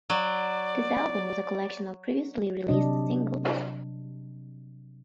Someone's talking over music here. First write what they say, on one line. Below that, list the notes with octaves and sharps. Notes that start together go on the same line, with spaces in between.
This album was a collection of previously released singles.
F#3 D5
C3 F#3 D4 D#5